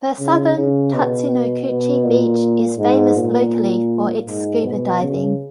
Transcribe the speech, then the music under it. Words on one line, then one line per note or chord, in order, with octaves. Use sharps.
The southern Tatsunokuchi beach is famous locally for its scuba diving.
C#3
C#3
B2
B2
A#2
G#2
A#2
G#2
B2
C#3